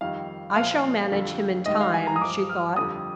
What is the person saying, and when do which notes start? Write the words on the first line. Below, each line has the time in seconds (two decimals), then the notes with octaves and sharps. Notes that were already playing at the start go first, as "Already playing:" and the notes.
"I shall manage him in time," she thought.
0.01 F2 D#3 G3 F5
0.56 A#2 F3 F5
1.11 F2 D3 G3
1.66 G#2 D#3 G3 D#5
1.81 F5
1.94 G#5
2.07 A#5
2.16 D#6
2.21 G2 F3 D6
2.49 F6
2.76 F2 D3 G3 D#6